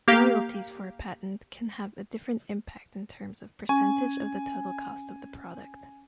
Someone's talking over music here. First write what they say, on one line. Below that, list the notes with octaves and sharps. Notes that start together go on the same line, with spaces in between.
Royalties for a patent can have a different impact in terms of percentage of the total cost of the product.
A#3 G4 F5
C#4 G#5